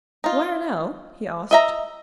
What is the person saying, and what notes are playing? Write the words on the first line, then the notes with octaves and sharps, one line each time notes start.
"Where now?" he asked.
D#4 F4
D#5 E5 A#5